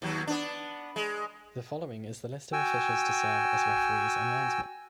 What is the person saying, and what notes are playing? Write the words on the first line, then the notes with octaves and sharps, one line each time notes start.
The following is the list of officials to serve as referees and linesmen.
D#2 F#3
B3 D4
G#3
F#4 G5 G#5 E6